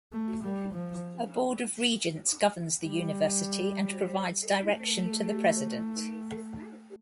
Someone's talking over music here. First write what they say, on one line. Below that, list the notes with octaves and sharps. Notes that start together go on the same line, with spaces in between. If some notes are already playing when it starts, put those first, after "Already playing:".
A board of regents governs the university and provides direction to the President.
A3
G3
F3
G3
A3